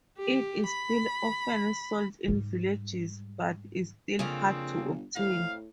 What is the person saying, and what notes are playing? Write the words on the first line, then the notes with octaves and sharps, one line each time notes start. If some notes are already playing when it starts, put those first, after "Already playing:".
It is still often sold in villages, but is still hard to obtain.
G4
B5
G#2 G3
F2 C#3 A#3 C4 D4
G1
F2 A2 F5